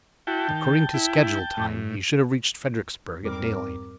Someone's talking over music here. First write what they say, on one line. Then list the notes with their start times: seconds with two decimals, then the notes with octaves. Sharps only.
According to schedule time, he should have reached Fredericksburg at daylight.
0.27 E4 F#4 G5 A5 G6
0.48 D#3
0.94 E4
1.57 A2
3.23 F2 G#2 G3 C4 A#4 D6